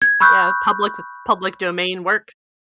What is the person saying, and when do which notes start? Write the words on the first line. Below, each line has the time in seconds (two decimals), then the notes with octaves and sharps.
Yeah, public with public domain works.
0.02 G#6
0.20 B5 C#6 E6 F#6 G6